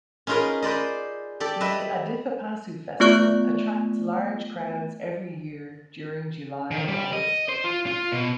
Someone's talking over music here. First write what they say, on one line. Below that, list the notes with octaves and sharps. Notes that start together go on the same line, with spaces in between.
The Adithapasu festival attracts large crowds every year during July or August.
C#4 D#4 F4 G#4 A#4 B4
B4 C5 D5 D#5
G4 A4 D5
B4 D#5 E5
A3 B3 F4 D5 C#6 F#6
D#3
G3
D#5
C5
F4
F4
B2